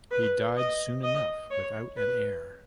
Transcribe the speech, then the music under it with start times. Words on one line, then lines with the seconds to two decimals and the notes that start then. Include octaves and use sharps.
He died soon enough without an heir.
0.11 B4
0.57 D#5
1.04 D#5
1.51 C#5
1.97 B4